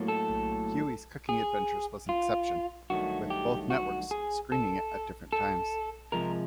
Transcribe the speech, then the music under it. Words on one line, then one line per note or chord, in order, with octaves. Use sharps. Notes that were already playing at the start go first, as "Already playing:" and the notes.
Huey's Cooking Adventures was an exception, with both networks screening it at different times.
Already playing: A2 F#3 A#3
A4
G#4
F4
G2 D#3 F#3 A3 F#4
G4
F#4
G#4
A4
A4
C3 F3 G#3 A#4